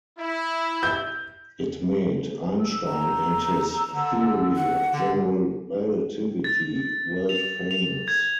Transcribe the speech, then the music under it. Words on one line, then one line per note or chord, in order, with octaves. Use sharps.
It made Einstein and his theory of general relativity world-famous.
E4
G6
E6
A#5
D3
F#5
D3
A6
F7
F7
G#6